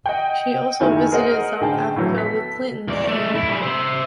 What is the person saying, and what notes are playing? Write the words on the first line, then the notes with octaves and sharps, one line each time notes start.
She also visited South Africa with Clinton that year.
D#5 F#5 G5
F#1 D#3 A3 E4 F#4 G#5
G#4 A#4 C5 D#5 F#5
A1 D3 G#4 G5 A5
A2 E3 F#3
B3 A4 B6
E2 D5
G#3 A3
B1 E4
G3 G#4
C5 E5